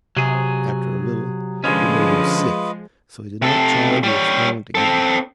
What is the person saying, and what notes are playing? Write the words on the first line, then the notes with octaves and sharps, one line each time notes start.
After a little it made him sick, so he did not try the experiment again.
C3 F#3 G#4
D3 F3 G#3 C#4 F4 B4 D#5
C3 A4
G3 C#5
C4 A4